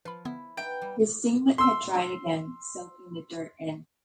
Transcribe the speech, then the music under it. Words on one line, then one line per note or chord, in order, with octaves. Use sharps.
His singlet had dried again, soaking the dirt in.
F3 F4 B4 B5
D3 B3 E4
B3 D#4 E5 G5
G3
C6 E6